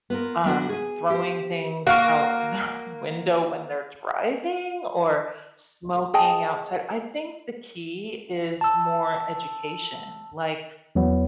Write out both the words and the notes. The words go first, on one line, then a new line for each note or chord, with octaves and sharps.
um, throwing things out their window when they're driving or smoking outside, I think the key is more education. Like,
B3 F4 A#4
F#3 B3 D4 F#4
G#4 G#5
G4 C5
A#3 F#4 F5 C#6
G#4 D#5 G5 A5
A5 E6
E2 F#3 B3